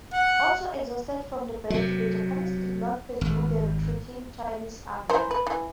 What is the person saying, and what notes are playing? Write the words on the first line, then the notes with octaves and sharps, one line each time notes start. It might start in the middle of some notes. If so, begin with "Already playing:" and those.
Also exhausted from the battle, the Japanese did not pursue the retreating Chinese army.
F#5
C3 F#3
G#1
E3 A#4 C5
B4
E3